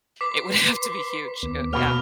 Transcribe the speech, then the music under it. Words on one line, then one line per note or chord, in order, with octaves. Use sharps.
It would have to be huge, uh, yeah.
B4 C6 D6 B6
D#2 B3
B2 A#3 F6 F7